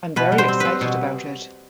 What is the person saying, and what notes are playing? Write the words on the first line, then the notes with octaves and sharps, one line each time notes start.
I’m very excited about it.
B2 B4
G3
C5
C4
C4 B4
B2